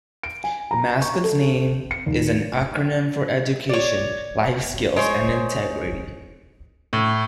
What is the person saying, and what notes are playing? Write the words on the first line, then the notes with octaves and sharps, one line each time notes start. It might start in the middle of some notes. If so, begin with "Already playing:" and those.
The mascot's name is an acronym for education, lifeskills and integrity.
D7
G#5
A#5
C#6
A4
C#7
D#2
C#5 D5
G#3 C5 C#5
A2